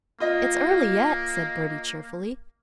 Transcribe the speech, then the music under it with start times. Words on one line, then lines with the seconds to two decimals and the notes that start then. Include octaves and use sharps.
"It's early yet," said Bertie cheerfully.
0.20 A#3 F4 D#5